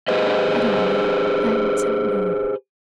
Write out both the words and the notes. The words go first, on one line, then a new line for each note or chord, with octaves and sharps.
"I don't know, I don't know."
G4 G#4 B4 C5 D#5